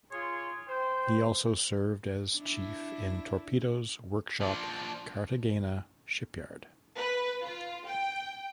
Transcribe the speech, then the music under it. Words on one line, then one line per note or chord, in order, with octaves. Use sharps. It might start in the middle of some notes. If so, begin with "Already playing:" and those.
He also served as chief in Torpedoes Workshop Cartagena Shipyard.
F4 G#4 C#5 C6
C5 G5
D4 E4
F3 D4
B4
F4
G5